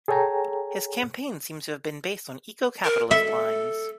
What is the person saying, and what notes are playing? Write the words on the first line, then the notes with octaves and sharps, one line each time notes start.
His campaign seems to have been based on eco-capitalist lines.
G#4 A4 C#5 G5 G#5 A#5
A#4
A4 E5